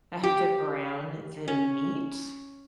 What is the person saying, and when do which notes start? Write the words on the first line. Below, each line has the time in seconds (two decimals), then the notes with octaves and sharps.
I have to brown the meat
0.24 G4
1.48 C#4